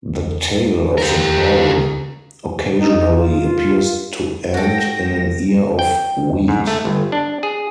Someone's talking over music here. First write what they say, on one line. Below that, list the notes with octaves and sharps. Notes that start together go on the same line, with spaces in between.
The tail of the bull occasionally appears to end in an ear of wheat.
G4 A#4
D#4
F4
F#4 A4 G5 A#6
G5
G#2
A3
G1
D4
G#4